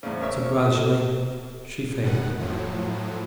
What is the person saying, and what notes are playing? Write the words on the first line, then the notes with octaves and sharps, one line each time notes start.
So, gradually she faded away.
E2 A2 C#3 C5
A#4 C#5 E5
A#3 A4
F#2 B2 D#3 F#5
A2 F3 F#3